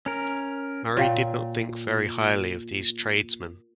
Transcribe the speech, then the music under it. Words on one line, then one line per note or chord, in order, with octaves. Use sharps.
Murray did not think very highly of these tradesmen.
C#4 A#4
A#2 C#5 F5 G5